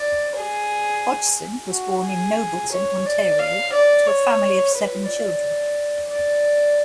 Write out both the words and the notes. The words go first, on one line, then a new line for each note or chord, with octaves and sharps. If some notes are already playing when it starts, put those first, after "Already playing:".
Hodgson was born in Nobleton, Ontario to a family of seven children.
Already playing: D5
G#4
F#4
G#4
C#5
D5
F5
D5
C#5
B4
D5
D5